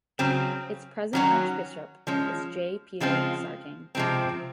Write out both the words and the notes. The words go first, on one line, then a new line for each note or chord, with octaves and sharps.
Its present archbishop is J. Peter Sartain.
C#3 F#3 C4
D#3 F#3 C#4 F#4
F3 G#3 C#4
C#3 F3 G#3 C4 F4
C3 F3 G#3 C4